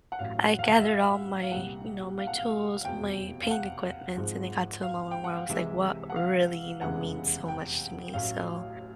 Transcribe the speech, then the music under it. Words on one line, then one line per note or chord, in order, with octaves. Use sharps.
I gathered all my you know, my tools, my paint equipments, and it got to a moment where I was like, "What really, you know, means so much to me?" So
F#5
A1 A2 F#3 F5
F#5
F5
F#5
E5
F5
F5
C2 A#2 G3 F#5
F5
F#5
F5
F1 E2 B2 G5
F5
F#5
G#1 G#2 F3 G#3
F5
G5
F#5
F5
C2 C3 E3 G#3 E5
F#5
F5
F1 E2 C#3 E3 G#3 F#5
G5
A1 A2 F#3 F5